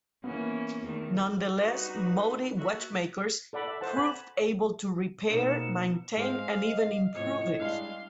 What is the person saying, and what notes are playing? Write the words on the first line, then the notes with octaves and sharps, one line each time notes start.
Nonetheless, Motie Watchmakers proved able to repair, maintain, and even "improve" it.
E3 A#3 B3 C#4
E2 D#3 A3
G3 D#4 F#4 B4
A#3 F#4 E5
A4 D5 F#5 B5
E5
C5 F#5 A5
F#5 G#5 B5
B2 A#3 C4 D#4 C#7 E7
G#3 G#4 C5 F5
D#5
A2 C3 F3 C#5 D#5
G3 G#3 D4 F5 C6